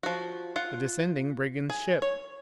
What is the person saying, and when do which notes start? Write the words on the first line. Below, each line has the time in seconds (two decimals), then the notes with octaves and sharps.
The descending brigand ship!
0.03 F3 F#4
0.56 F4 F#5
1.70 G#4
2.02 C#5